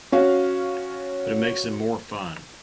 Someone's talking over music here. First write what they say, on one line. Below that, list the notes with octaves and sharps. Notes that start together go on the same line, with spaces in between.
But it makes them more fun!
C#4 F#4 F5